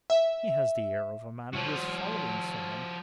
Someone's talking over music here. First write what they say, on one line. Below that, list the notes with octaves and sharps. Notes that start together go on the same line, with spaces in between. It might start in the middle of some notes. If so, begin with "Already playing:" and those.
"He has the air of a man who is following some one."
E5
F3 F#4